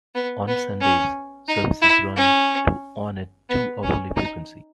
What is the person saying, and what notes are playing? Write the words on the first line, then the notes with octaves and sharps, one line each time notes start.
On Sundays, services run to on a two-hourly frequency.
B3
B3
C#4
D#4
E4
C#4
B3
C#4
D#4